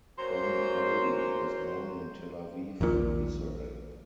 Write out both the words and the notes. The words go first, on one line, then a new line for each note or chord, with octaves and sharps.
Ben-Ari was born in Tel Aviv, Israel.
F#3 A#3 C#4 C5
A#1 D#2 A#2